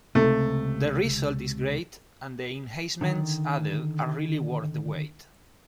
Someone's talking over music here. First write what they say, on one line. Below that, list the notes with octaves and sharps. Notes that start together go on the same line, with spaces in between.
The result is great and the enhancements added are really worth the wait.
C#2 G2 C3 A3
D3 D#3